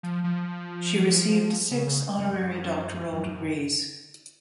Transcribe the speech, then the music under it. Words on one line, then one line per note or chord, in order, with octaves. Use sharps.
She received six honorary doctoral degrees.
F3
F3
C#3
C#3
F#2
F#2
F#2
F#2